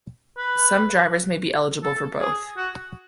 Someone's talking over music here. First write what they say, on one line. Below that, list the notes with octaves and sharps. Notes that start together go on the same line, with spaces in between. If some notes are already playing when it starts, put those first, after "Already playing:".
Some drivers may be eligible for both.
B4
A4
G#4
F#4